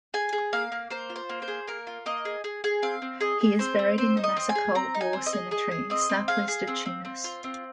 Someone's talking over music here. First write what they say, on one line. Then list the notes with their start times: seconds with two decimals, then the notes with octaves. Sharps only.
He is buried in the Massicault War Cemetery, southwest of Tunis.
0.14 G#4 G#5
0.33 G#4
0.53 A#3 F5
0.72 A#3
0.90 A#3 C5
1.10 F4
1.16 C5
1.29 A#3
1.42 C5
1.48 G#4
1.68 A#3 A#4
1.87 F4
2.06 A#3 D#5
2.25 G#4
2.44 G#4
2.64 G#4
2.82 C4 F5
3.02 C4
3.21 G#4 D#5
3.41 G#4
3.59 C4 C5
3.79 C4
3.98 C4 C5
4.17 D#4
4.24 D#5
4.37 C4
4.49 G#5
4.55 G#4
4.75 C4 A#5
4.94 D#4
5.01 G#5
5.13 C4
5.26 D#5
5.33 G#4
5.51 G#4 D#5
5.71 G#4
5.90 C4 D#5
6.09 C4
6.28 G#4 F5
6.48 G#4
6.67 C4
6.86 C4
7.05 C4
7.24 F4
7.44 C4